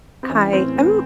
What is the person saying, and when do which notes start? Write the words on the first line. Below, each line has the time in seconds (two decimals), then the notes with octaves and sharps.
Hi. I'm
0.23 C4
0.30 E3 C#4
0.53 A2 C4
0.76 A2 B3